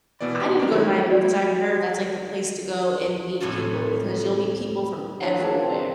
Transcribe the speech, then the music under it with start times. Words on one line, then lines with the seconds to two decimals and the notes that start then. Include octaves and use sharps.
I need to go to Miami because I've heard that's, like, the place to go and meet people because you'll meet people from everywhere.
0.21 B2 E3 B3 D5
0.40 G4
0.59 B3 D4 G4 A#4
0.72 D#3 F#3 E4 C#5
1.07 F#4 D5
3.40 F2 A2 C3 E3 C#4 A5
5.21 E3 F#3 D4 C#5
5.40 F4 G#4 A#4 C5 A5
5.62 C4